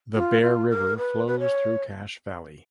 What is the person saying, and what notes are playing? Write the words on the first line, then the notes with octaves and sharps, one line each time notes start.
The Bear River flows through Cache Valley.
F4
F4
A#4
B4
B4
C#5